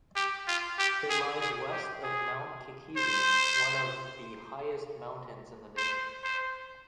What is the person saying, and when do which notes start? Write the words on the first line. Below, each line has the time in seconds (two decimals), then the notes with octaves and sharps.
It lies west of Mount Kikizi, one of the highest mountains in the nation.
0.16 G4
0.47 F4
0.78 G4
1.09 G#4
1.41 G#4
1.72 G4
2.03 G#4
2.97 C5
5.77 C5
6.24 C5